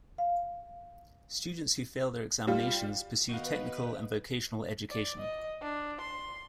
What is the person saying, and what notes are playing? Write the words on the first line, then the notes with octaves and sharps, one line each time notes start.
Students who fail their examinations pursue technical and vocational education.
F5
G3 F4
D#3 A3 B3 F#4 B4 F5
D5
D#5
D4
C6